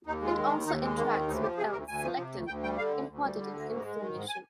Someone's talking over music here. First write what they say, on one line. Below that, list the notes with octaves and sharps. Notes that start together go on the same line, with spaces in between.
It also interacts with L-selectin, important in inflammation.
D#2 D#4
G#3 F4
D#3
D4
D#2
D#2 D#4
G#3 C4
D#3 A#3
D#2 C4
D2 D#4
F3 G4
C3 G#4
D2 A#4
D2 G#5
F3
C3
D2
D2 G5
G3 G5
D3 F5
D2
D2
G3
D3
D2
G#2
G#3
D#3
G#2
G#5